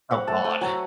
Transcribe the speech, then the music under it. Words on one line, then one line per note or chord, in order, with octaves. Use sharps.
Oh god.
C4 F#5
A3 A5
A3 G#5
F#3 G#5